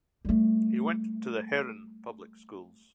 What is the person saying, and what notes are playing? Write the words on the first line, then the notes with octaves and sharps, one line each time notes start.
He went to the Herrin public schools.
G3 A3